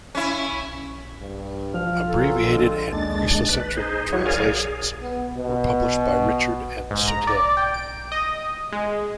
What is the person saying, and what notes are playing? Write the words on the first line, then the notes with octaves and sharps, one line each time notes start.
Abbreviated and "cristo-centric" translations were published by Richard and Soothill.
C#4 E4
G2
F3 F4 F6
E3 F#3 A4
D3 G#3 C4 F4
D#2 G#3 D4 A6
B4
D#4 G#4 C5
F#3 E4 F#4 G#4 C#5
G#4 A#4 C#5 D5 F5 G#5
G#4
B3
B2
G#2
A#5
D5
G5
D7
D#5
G#3